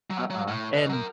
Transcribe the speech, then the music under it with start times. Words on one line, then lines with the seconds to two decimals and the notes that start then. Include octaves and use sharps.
Uh-uh, and
0.10 F#3
0.30 F#3
0.48 A2
0.74 B4 D#5
0.89 F#3 A#4